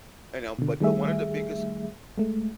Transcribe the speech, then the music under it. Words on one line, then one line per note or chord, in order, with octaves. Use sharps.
and, um but but one of the biggest
B2 D3
D#3 G3 A3 G#4 E5
G#3 A3